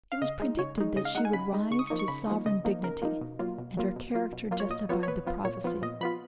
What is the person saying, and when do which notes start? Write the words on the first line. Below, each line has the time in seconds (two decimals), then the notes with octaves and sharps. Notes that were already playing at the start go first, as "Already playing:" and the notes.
It was predicted that she would rise to sovereign dignity; and her character justified the prophecy.
0.12 F5
0.22 C#3 D#5
0.40 G#3 D#4
0.59 C#3 C#5
0.77 G#3 D#4
0.96 C#3 D#5
1.05 F5
1.15 G#3 D#4 F#5
1.25 G#5
1.33 C#3 B5
1.53 G#3 D#4
1.71 C#3 C#6
1.79 D#6
1.87 C#6
1.90 F3 A#3 D#4
1.99 C#6
2.08 C#3 B5
2.27 F3 A#3 D#4
2.46 C#3 D#5
2.64 F3 A#3 D#4
2.83 C#3 A#4
3.02 F3 A#3 D#4
3.21 B2
3.39 F#3 A#3 F4
3.58 B2
3.77 F#3 A#3 F4
3.96 B2
4.14 F#3 A#3 F4
4.33 B2
4.51 F#3 A#3 F4
4.60 C#5
4.70 A#2 D#5
4.89 F3 B3 F4 C#5
5.03 C#5
5.07 A#2 B4
5.26 F3 B3 F4
5.45 A#2 C#5
5.64 F3 B3 F4
5.82 A#2 D#5
6.01 F3 B3 F4 B5